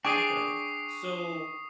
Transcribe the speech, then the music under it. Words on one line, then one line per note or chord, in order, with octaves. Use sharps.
Okay, so
D4 G#4 G5 C#6 D#6 C7 D7